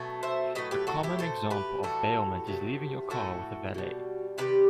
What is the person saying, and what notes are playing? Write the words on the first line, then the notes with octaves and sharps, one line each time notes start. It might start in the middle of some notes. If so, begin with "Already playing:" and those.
A common example of bailment is leaving your car with a valet.
Already playing: B2 F#3 A3
C5 E5
A2 F#3 A3 B4 D#5
G4 B4
F#4 A4
E4 G4
B2 A3 A4 C5
G4 B4
A2 E3 G3 F#4 A4
C3 D#3 F#3 A3
A2 E3 A3 F#4 A4
B2 G3
C3 D#3 G3 G4 B4